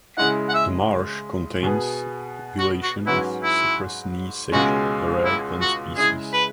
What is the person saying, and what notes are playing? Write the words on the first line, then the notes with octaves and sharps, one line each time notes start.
The marsh contains a population of Cypress Knee Sedge, a rare plant species.
C#3 G#3 E4 F#5
F#5
E5
B2 B3 G#4 B4
F#4
F#4
G#2 F#3 C#4 E4 F#4 B4
E4
C#2 B2 G#3 C#4 F#4
E4
F#4
C#3 G#3 E4 G#4
B4